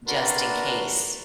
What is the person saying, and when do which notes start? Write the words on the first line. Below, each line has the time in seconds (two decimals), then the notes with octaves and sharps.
just in case
0.07 D4 F#4 A#4 B4 A5 C6